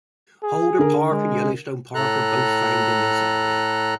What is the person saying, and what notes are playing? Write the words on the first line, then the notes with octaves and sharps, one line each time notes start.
Holder Park and Yellowstone Park are both found in this area.
G#4
D3 A#4
G#3
A2 A4 A#5 F#6